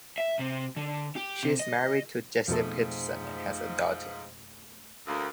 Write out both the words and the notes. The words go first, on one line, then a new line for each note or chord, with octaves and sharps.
She is married to Jesse Peterson and has a daughter.
E5
C3
D3
G4
C3
D#5
F2 G#2 B2 F3 A3
D2 A#3